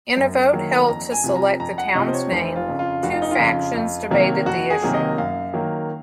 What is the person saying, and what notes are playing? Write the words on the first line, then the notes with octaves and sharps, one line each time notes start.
In a vote held to select the town's name, two factions debated the issue.
F#2
D#3 F#3 A#3
F2 A#5
G#5
C3 F3
A#5
F2 A#5
F#5
C3 F3 D#5
C5
C#5
F1 C5
F4
F2 C#3
F4
F1 F#4
F4
D#4
F4
F2 C#3
F2
C3 D#3 F#3 A#3
F2 F#4
G#4
C3 D#3 F#3 A#3
D#5
F#2 F5
D#3 F#3 A#3